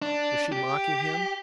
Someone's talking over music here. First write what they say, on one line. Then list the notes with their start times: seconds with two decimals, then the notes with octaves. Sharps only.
Was she mocking him?
0.02 D4
0.52 G4